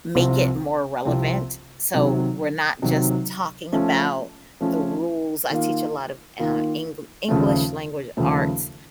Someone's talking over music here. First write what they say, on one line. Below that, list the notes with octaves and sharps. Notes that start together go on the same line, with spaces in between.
make it more relevant, so, we're not just talking about the rules I teach a lot of, uh, Engl English, Language Arts,
C2 C3 F3 C4
C2 C3 F3 C4
C3 D#3 F#3
C3 D#3 F#3
F3 A3 C#4
F3 A3 C#4
D#3 A#3 F4
D#3 A#3 F4
D#2 C#3 F3 A3
D#2 C#3 F3 A3